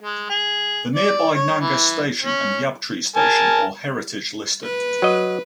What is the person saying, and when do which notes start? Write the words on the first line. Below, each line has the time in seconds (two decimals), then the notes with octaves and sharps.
The nearby Nangus Station and Yabtree Station are heritage listed.
0.01 G#3
0.29 G#4
0.95 D5
1.35 C#5
1.61 E3
2.22 C#4
3.16 A#4 G#5 A5
4.63 B4
5.02 F#3 D#5